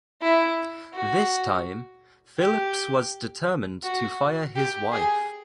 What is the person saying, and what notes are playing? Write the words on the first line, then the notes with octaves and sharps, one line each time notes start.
This time, Phillips was determined to fire his wife.
E4
F#4
G4
F#4
G4
G#4